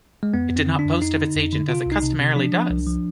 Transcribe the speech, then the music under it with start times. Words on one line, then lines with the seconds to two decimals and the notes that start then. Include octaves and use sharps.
It did not boast of its agent as it customarily does.
0.23 G#3
0.34 F2 B3
0.50 F2
0.56 C4
0.68 D3
0.79 D4
0.85 F2
1.01 F2 D#4
1.18 D3
1.36 F2
1.53 D3
1.69 C3 F4
1.86 C2
1.92 D#4
2.03 C3
2.20 C3
2.36 F3 D4
2.53 F3
2.70 C2
2.87 F3